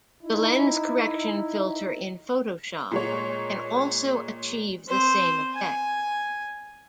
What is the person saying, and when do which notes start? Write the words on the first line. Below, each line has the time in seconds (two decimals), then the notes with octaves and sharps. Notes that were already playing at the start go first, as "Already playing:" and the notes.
The Lens Correction filter in Photoshop can also achieve the same effect.
0.22 D#4 E4
2.91 A#2 G#3 C#5
4.88 C4 C5
5.54 G#5